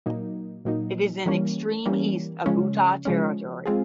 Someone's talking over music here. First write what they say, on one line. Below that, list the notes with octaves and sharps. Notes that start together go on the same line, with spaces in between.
It is in extreme east of Buta Territory.
A#2 F#3 A#3 D#4
A#2 F#3 A#3 D#4
E3 G3 A#3 C#4
E3 G3 A#3 C#4
C#3 F3 G#3 C#4
C#3 F3 G#3 C#4
G#3 C4 F4 G#4